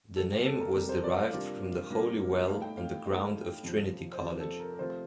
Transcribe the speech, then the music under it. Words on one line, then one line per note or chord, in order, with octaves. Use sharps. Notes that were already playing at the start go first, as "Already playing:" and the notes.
The name was derived from the holy well on the ground of Trinity College.
F2 C3 G3 A4
G4
A4
A#4
F2 C3 G3 A#4
C5
D5
F5
C3 G3 A#3 D4 F4
C3 G3 A#3 D4 F4
A2 A3 D#4 F5
G5
F5
A2 A3 D#4
F2 C3 F3 C4 F4
C5
F2 C3 F3 C4 F4 D5
A4
A#4
A#4
C3 F3 A3 C4 F4 C5